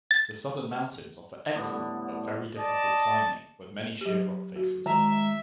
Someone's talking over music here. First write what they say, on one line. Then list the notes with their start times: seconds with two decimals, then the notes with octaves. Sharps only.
The southern mountains offer excellent, but very difficult climbing with many sheer rock faces.
0.11 A6
1.55 A2 D3 G3 B3
2.58 D5 D#5 A5
4.01 F#3 G4
4.56 F#4
4.86 D#3 G#3 E5 A#5